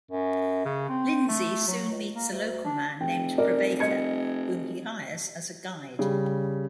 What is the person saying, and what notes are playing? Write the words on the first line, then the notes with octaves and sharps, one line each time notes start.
Lindsay soon meets a local man named Prabaker whom he hires as a guide.
F#2
C#3
C4
A3
F#3
C#2
A#3
D2
D4
F1 G5
A#4 D5
D#5 G#6 C#7
C#3 G3